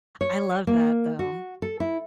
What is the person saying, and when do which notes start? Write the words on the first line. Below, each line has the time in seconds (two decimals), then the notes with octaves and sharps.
I love that though,
0.21 C#5
0.67 A#3
1.19 F#4
1.62 A4
1.80 E4